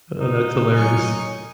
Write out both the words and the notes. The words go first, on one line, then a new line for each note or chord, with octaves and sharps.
Oh, that's hilarious.
D#4
F#3 G#5 C#6